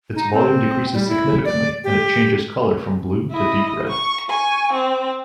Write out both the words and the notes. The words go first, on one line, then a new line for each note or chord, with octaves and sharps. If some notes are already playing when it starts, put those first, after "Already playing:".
Its volume decreases significantly, and it changes color from blue to deep red.
D#4
C4
G3
E4
D5
G4
E4 D#5
C#6
G#5 C#6
C4